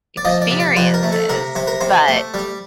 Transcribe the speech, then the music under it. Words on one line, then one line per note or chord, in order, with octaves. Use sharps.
experiences, but
D5
F3 D#5
D5
C3
D5
F2 C5
A#4
A3
A4
C3 A#4
C3 C5
A#4
C3 C5
A3
G3